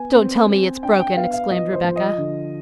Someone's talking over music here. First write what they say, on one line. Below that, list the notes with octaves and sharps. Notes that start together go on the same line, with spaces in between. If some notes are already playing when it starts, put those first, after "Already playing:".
"Don't tell me it's broken," exclaimed Rebecca.
Already playing: B3 G#5
C4
C4
D4 G5
G5
B3 F5
F5
F3 D#5
C5
F3
D#5
D3